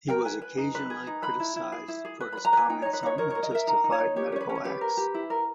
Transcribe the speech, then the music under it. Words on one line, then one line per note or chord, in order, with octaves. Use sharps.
He was occasionally criticized for his comments on unjustified medical acts.
A#4 G5
B4 G#5
B4
D#4
B4
G#4
D#4
B4 B5
E4
E4
G#4
E4
G#4
B4
B4 B5
A#5
B4 G#5
D#4 G5
D#4 C#5
B4
D#4 C#5
A#4 C#5
A#4 C#5
D#5
A#4 E5
D#4 A#5
D#4
C#5
D#4
G4 C#5
C#4 C#5
B4
C#4
C#5
G4 B4
A#4
G4
E4
A#4